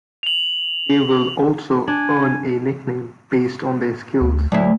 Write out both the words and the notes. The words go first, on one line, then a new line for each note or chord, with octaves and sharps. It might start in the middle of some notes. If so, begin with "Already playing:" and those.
They will also earn a nickname based on their skills.
F7 F#7
D4 G#5
D2
D2 F#3 E4